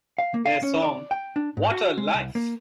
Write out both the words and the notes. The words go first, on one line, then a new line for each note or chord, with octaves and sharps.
Their song What a Life!
F5
A#3
F5
C#4
D5
G5
D4
G#2
F#4
G#3
C2
A#3